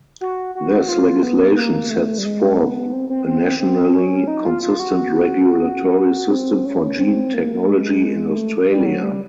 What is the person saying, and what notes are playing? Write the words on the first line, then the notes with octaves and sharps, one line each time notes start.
This legislation sets forth a nationally consistent regulatory system for gene technology in Australia.
F#4
F#4
F4
B3
A#3
A3
G3
G#3
B3
C4
C4
C4
C4
C4
C#4
D#4
F4
F4
F#4
C4
C#4
C4
A#3
G#3
A3
G3
F#3
G3